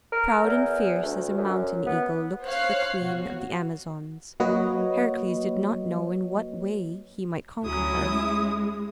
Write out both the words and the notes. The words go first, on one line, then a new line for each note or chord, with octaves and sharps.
Proud and fierce as a mountain eagle looked the queen of the Amazons: Heracles did not know in what way he might conquer her.
A#4
E2
D2
F#2
B3
C5 C#5 F5 F#6 C7
B2 F#4
F#3 A#3 F#4 B4 C#5 D#5
D2 F#3 C#4 E4 D#6
G#3